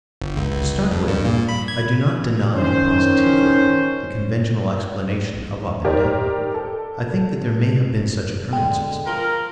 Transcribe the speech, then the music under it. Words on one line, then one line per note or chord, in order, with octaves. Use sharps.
To start with I do not deny--positively--the conventional explanation of "up and down." I think that there may have been such occurrences.
G1
C#2
C#2
F2
G2
A#2
B5
G#6
D#3 C#4 C5
D#4 G4 A#4 C5 D5
A4
D3 G#3 G5
F3 A#4 C6